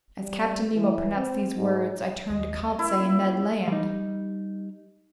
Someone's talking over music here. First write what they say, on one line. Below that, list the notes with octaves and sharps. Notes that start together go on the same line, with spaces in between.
As Captain Nemo pronounced these words, I turned to Conseil and Ned Land.
G3
E3
C4
G#2
D#2 D#5
E4 A#4
A#3 C#4 F4
G3 D#4